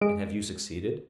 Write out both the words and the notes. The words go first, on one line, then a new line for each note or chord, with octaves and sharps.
"And have you succeeded?"
G#3 D7